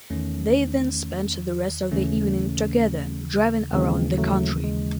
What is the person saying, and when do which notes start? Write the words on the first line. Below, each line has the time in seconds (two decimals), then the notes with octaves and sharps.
They then spent the rest of the evening together driving around the country.
0.10 E2 D#3 A3 C#4
1.92 D#2 C#3 E3 A3 C#4
3.73 D#2 C#3 E3 G#3 C4
4.18 F#3 A3
4.64 G#3